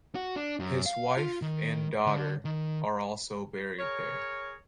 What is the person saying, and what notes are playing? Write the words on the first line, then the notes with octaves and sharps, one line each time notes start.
His wife and daughter are also buried there.
F#4
D4
F#2
F5
F4
D#3
D3
D#3
G#4 A#4 C#5